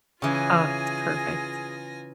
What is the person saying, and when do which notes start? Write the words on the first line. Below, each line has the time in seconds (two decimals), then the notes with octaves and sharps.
Oh, it's perfect.
0.22 C#3 E3 F4 G#4 G#5 A#6